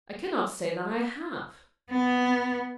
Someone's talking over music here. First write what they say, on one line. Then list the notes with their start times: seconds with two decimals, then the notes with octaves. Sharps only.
I cannot say that I have.
1.91 B3